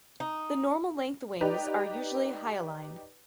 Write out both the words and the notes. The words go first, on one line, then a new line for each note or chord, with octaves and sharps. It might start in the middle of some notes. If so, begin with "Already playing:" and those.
The normal length wings are usually hyaline.
D#4
D#4 G4 B4 D5